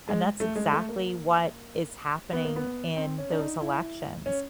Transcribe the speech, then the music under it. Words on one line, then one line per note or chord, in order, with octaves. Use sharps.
And that's exactly what is happening in those elections.
G#3
A3
G#3
A3
A#3
B3
A#3
B3
C4
C#4
D4
D#4
E4
C#4